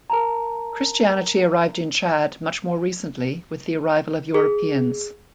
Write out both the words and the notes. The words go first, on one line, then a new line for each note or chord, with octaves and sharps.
Christianity arrived in Chad much more recently with the arrival of Europeans.
A#4 A5 A#5
G#4